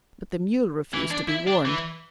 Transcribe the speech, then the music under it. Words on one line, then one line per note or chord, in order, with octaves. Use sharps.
But the mule refused to be warned.
E3
D4
E4
D4
E3